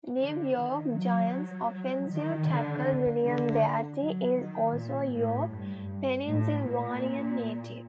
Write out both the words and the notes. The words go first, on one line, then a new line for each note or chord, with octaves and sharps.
New York Giants Offensive Tackle William Beatty is also a York, Pennsylvania native.
D3
D#3
F#3
D#3
D3
D3
F#3
D#3
A#2
A2
G2
A2
A#2